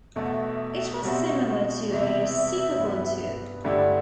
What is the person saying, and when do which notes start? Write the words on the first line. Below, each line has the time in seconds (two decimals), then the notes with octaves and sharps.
It was similar to a Superglue tube.
0.16 E2 B2 A3 E5
0.24 F#5
0.32 E5
1.03 B2 G3 C4 F#4
1.90 E2 C3 E3 E5
2.77 G2 E3 G3 B3
3.64 G2 D3 A3 E4 G4 D5